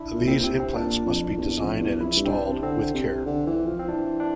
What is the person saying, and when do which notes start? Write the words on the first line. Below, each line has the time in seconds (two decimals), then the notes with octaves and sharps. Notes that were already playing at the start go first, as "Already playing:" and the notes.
These implants must be designed and installed with care.
Already playing: D4 E4
0.13 A#2
0.21 A2
0.28 A#2 C4
0.44 C3 C4
0.60 C4
0.75 A#2 D4
1.06 F2
1.37 E2
1.59 F2
1.80 E2
2.01 F2 E4
2.16 G2
2.25 C4
2.32 D4
2.47 C3
2.62 D3 C4
2.94 C3
3.26 D3
3.47 E3
3.67 F3
3.79 C4
3.88 E3 D4
4.20 D4